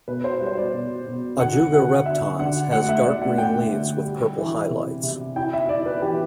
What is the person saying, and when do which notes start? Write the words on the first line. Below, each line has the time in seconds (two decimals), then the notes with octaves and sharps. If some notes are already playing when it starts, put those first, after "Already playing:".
"Ajuga reptans" has dark green leaves with purple highlights.
0.08 B2 B4
0.24 C5
0.41 G3
0.46 C5
0.57 D5
0.73 B2
1.06 B2
1.40 D3 F#5
1.73 D3 F#5
2.06 D3 E5
2.39 D3 F#5
2.71 A3 F#5
2.88 E5
3.05 A3 D5
3.22 F#5
3.38 A3 G5
3.71 D3
4.04 G3
4.38 E3
4.70 C3
5.03 C3
5.36 E4 G5
5.53 E5
5.69 E4 D5
5.86 B4
6.02 E3 G4